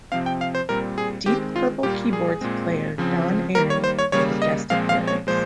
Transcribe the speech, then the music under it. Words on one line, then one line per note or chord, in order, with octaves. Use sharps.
Deep Purple keyboards player Don Airey made a guest appearance.
C3 F3 C4 F5
G5
F5
C5
A#2 G3 C4 A#4
G#4
D#3 G#3 C4 G4
F4
A#2 G3 A#3 G4
G#4
A#2 G#3 C4
C#3 F3 C4
D#3 G3 A#3 A#4
C#5
C5
C#5
C#3 G3 A#3 C#5
D#5
A#2 F3 G#3 C4 F5
F5
C#5
A#2 F3 G#3 C5